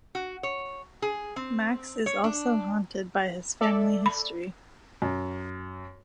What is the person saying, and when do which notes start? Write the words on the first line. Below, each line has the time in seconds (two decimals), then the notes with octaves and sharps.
Max is also haunted by his family history.
0.15 F#4
0.43 C#5
1.02 G#4
1.36 C4
2.06 C#5
2.24 D4
3.61 A4 D5 E5
4.06 B5
5.02 F#2